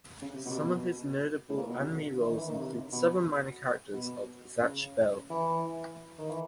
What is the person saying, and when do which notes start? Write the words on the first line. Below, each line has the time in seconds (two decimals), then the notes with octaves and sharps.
Some of his notable anime roles include several minor characters of "Zatch Bell!".
0.22 C#3
0.34 C3
0.45 B2
0.50 C3
0.56 B2
1.50 A2
1.57 A#2
1.69 B2
1.80 C3
1.91 D3
2.21 E3
2.25 D#3
2.37 E3
2.48 D#3
2.54 C#3
2.59 C3
2.92 B2
3.93 B2
4.61 C#3
5.30 E3
6.19 D#3
6.30 E3